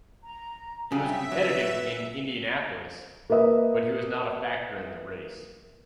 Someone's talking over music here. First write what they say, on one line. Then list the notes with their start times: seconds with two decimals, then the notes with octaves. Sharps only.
He was competitive in Indianapolis, but he was not a factor in the race.
0.22 A#5
0.92 C#3 F#3 G3 E5 G5
1.32 F#3 B4
3.30 A#3 A#4 B4 D#5 E5